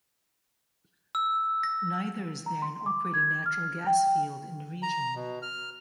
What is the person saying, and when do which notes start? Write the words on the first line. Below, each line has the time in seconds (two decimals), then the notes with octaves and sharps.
Neither is there an operating natural gas field in the region.
1.15 E6
1.63 A#6
2.46 A#5
2.62 C6
2.86 D6
3.14 G#6
3.46 F6
3.87 G5
4.06 G5
4.83 A#5
5.15 B2
5.42 F6